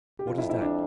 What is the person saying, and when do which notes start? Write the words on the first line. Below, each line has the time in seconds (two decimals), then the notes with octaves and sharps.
"What is that?"
0.19 G4
0.27 F2 F4
0.38 E4
0.50 E4
0.61 D4